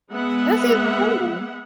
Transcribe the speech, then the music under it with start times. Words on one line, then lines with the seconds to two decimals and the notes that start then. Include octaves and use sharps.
That seems cool.
0.12 G#3 B3 E5 F#5